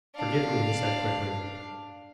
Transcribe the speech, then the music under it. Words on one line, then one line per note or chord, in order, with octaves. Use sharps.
"Forgive me," he said quickly.
D4 F5